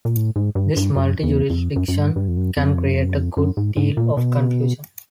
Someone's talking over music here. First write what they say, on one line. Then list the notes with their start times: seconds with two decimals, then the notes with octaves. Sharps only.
This multi-jurisdiction can create a good deal of confusion.
0.05 A#2
0.16 A2
0.36 G#2
0.55 G2
0.77 G2
0.96 F#2
1.23 E2
1.50 F2
1.76 F#2
1.88 F#2
1.97 G2
2.16 G2
2.28 F2
2.37 F#2
2.57 F2
2.66 F#2
2.76 F2
2.86 F#2
2.94 F2
3.05 F#2
3.14 F2
3.37 F#2
3.57 G#2
3.77 G#2
3.97 A#2
4.17 B2